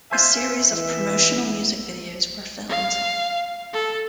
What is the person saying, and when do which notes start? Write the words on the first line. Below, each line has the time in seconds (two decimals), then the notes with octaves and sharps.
A series of promotional music videos were filmed.
0.11 F4 C5 E5 G#5
0.70 E3 E5
2.69 F5
3.73 A4